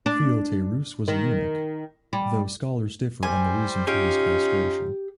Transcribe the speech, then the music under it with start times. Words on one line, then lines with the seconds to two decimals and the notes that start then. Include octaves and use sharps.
Philetaerus was a eunuch, though scholars differ on the reason for his castration.
0.06 D4
1.08 D#3
2.13 G3
3.23 G3 C5 G#5
3.87 C#4 D#4 F4 G4